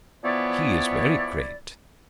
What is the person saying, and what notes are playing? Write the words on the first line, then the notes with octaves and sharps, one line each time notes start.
He is very great.
E3 F3 B3 E4 C#5 D5